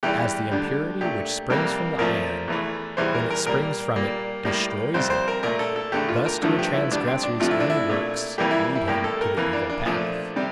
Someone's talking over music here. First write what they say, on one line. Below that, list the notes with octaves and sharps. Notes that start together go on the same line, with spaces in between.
As the impurity which springs from the iron, when it springs from it, destroys it; thus do a transgressor's own works lead him to the evil path.
E2 E3 G3 G4
D2 D3 G3
A#2 A3 G4
F2 C3 G3 A#3
A#2 F3 A3 A#4
E2 E3 A3
E2 E3 G3 C5
A#4
A#4
A#2 G3 A#3 A#4
A#2 G3 A#3
A2 G3 A#3
F2 C3 G3 C5
C5
A#4
A#2 A3 A#4
A4
A4
E2 D3 A3 G4
F4
A#4
G2 D3 F3 A3 A4
G4
E4
D2 D3 G3 D4
C4
D4
D2 C3 F3 A3 F4
E4
D4
E4
A#2 A3
F2 E3 G3 A#3 G4
E4
E4
A2 G3 A#3 G4
A4
A#4
F2 E3 A#3
D4
D4
A#2 F3 A3 D4
C3 G3